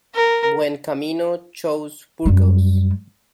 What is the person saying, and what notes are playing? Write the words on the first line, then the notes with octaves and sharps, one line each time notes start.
Buencamino chose Burgos.
A#4
F#2 G3